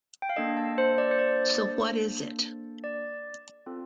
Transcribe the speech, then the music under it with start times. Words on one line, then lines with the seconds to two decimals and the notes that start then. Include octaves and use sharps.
So what is it?
0.22 G5
0.29 F5
0.36 A#3 D4 A4 D#5
0.57 A5
0.78 C5
0.98 D5
1.11 C5
1.19 D5
2.84 D5
3.66 C4 F4 A4